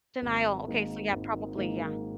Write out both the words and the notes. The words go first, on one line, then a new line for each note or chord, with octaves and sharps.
Denial. Okay, so, yeah, probably, yeah.
G#1
G#2 D#3 A#3
G#1
G#2 D#3 A#3